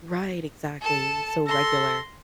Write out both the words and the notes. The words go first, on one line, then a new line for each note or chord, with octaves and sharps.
Right, exactly, so regular.
A4 A5
A4 C6 A#6